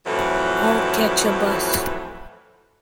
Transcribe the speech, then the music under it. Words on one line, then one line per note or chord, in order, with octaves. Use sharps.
I'll catch a bus.
F2 A2 E3 F#3